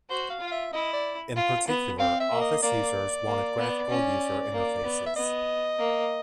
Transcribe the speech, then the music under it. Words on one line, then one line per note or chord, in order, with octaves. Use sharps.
In particular, office users wanted graphical user interfaces.
F#4 C5
F5
F4
F5
E5
E4 D#5
D5
F4
B3
C4 F5
E5
A#3
D#5
A#3 D5
A#3
B3
C#4
A#3
B3
E5
B3 D#5
A#3